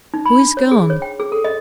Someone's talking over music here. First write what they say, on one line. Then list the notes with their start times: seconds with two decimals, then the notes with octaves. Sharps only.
Who is gone?
0.14 D#4
0.26 B5
0.39 D4
0.57 C#5
0.71 G#4
0.90 C#5
1.02 G5
1.20 G#4
1.32 A4
1.45 D#5